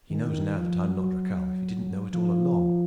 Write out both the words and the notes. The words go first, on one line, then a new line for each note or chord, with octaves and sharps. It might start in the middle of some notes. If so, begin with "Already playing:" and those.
He knows now that I'm not Rakhal, if he didn't know it all along!
D#3
D#3
F3
F#3
F3